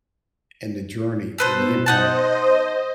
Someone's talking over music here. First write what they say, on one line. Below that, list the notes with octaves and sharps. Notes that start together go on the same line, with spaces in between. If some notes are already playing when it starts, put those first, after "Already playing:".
in the journey and the impact
B2 A4 B4 C5
D#4 C5 D#5 F#5 A5